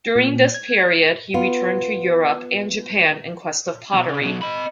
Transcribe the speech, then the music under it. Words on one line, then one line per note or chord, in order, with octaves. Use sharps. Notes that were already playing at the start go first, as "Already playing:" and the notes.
During this period, he returned to Europe, and Japan in quest of pottery.
A#2
G#6
B3 F4
E2 B2
C#3
B2 F#3
D#5 B5